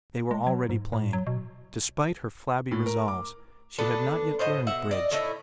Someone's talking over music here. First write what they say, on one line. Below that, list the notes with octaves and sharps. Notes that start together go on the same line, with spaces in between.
They were already playing. Despite her flabby resolves she had not yet learned bridge.
G#3
F#3
G#2
A2
F#3
B2
A2
A#4
D6
B3 D4 A4 B4
A2 C5 D#5 F#5
B2 E5 F#5
D5 D#5
A2 A3 D#4 E4